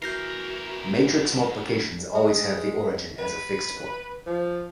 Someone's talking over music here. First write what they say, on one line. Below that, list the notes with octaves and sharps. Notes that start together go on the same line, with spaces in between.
Matrix multiplications "always" have the origin as a fixed point.
E2 E3 F#4 A#4 G6 A#6 C7
G#3
B4
F3